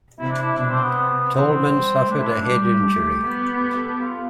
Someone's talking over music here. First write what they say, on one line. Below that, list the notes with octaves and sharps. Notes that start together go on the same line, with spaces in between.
Tallman suffered a head injury.
C3 E4
D4
E4
B2 D4
C4
B3
C3
E3 C4
G3
A3 D4
E4
D4
G3 G4
A3
B3
A4
G4
F4